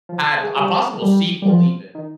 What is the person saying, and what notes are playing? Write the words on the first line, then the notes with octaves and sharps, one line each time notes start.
had a possible sequel even,
F3
G#3
G3
G3
G3
F3
D#3